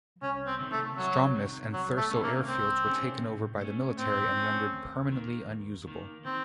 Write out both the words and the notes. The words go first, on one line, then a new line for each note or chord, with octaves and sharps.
Stromness and Thurso airfields were taken over by the military and rendered permanently unusable.
C2 C#4
C4
C3 D#3
A3
C2 F#3
C3 D#3
C2 F#3
A3
C3 D#3 A3 C#4
A#3
C2 C4
C3 D#3 A3 C#4
A2
A3 C#4
A2 C4
A3 C#4
D#2
D#3 A#3
D#2
D#3 A#3
D#3 C4